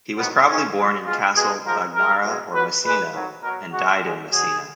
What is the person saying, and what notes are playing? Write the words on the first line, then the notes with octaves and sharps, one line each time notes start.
He was probably born in Castle Bagnara or Messina and died in Messina.
F2 D#3 F#3 B3
F2 D#3 G#3 C#4
G#2 F3 G#3
B2 G#3 F4
B2 G#3 G#4
G#2 F3 G#3 A#4
A#2 G#3 A#4
B2 G#3
A#2 F#3 B4
A#2 G#3 B4
F2 D#3 F#3
B2 F#3 A#4
B2 G#3 F#4
A#2 F3 G#3
B2 F#3 G#4